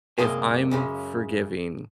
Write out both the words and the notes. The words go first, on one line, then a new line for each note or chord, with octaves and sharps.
if I'm forgiving
C2 F#2 G#3 A#3 G#5
C#2 F#2 C#3